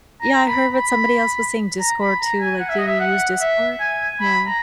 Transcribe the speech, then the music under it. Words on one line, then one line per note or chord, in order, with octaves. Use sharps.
Yeah, I heard what somebody else was saying Discord too. Like, do you use Discord? Yeah.
A#5
B5
B5
A#5
B5
A#5
G#5
F#5
E5
D#5
E5
F#5
E5
G#5
B5
A#5